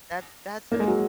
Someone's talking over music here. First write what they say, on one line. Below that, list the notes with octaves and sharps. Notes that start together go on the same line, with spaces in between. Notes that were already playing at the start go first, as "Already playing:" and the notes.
that that's a
A#3
G#3
F#3